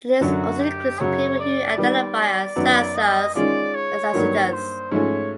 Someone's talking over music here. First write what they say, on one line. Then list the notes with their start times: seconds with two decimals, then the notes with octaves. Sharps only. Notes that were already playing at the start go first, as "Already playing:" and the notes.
The list also includes people who identify as Zazas and Yazidis.
0.21 F#2 D3 F#3 F#4
0.60 G4
1.00 F#2 C#3 F#3 C#5
1.39 D5
1.78 D#3 G3 B3 D5
2.56 F#2 D#3 F#3 B3
2.96 D#5
3.35 D#3 G#3 C#4 F4 D5
3.74 C#5
4.14 G2 D#3 F#3 A#3
4.53 C5
4.91 G#2 F3 A3 C#4 C#5